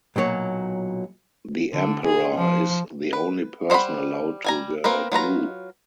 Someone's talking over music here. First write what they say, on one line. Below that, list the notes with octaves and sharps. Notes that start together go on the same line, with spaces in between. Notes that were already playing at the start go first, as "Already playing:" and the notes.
The Emperor is the only person allowed to wear blue.
B1 A#2 F#3 C#5
D3
G#4
F3
B4
G3 C5 E5 F#5 B5
G3 G#5 A#5
A#3 C4 A#4 B4
F#3 F4 B4 A#5